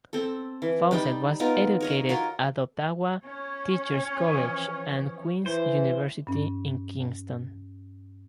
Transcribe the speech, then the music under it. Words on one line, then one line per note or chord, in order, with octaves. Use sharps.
Fawcett was educated at Ottawa Teachers' College and Queen's University in Kingston.
C4 A4
E3
G3 D#4 D5 G5
B3 D#4 F4 A#4
A#4 C#5 D#5
F4 F#4 A#4
C#4 C#5
E3 F3
E3 C5
G2 C#4